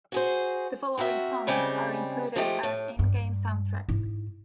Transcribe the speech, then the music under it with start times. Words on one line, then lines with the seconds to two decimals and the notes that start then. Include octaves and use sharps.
The following songs are included as in-game soundtrack.
0.12 F#4 G#4 C5
0.98 C4 F#4 A#4 E5
1.47 C#3 G3 G#3 C4 G4
2.36 F3 G#3 A3 G4 D#5
2.63 A2
2.99 G2
3.89 G#2 E4